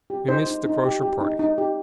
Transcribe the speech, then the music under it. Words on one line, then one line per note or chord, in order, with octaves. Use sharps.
We miss the Crozier Party.
G4
D#4 C5
D#4
D#4
G4
G4
D#4
D#4
G4